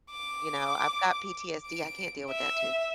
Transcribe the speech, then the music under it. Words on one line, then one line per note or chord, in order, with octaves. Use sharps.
you know? I've got PTSD, I can't deal with that too.
D6
D7
E5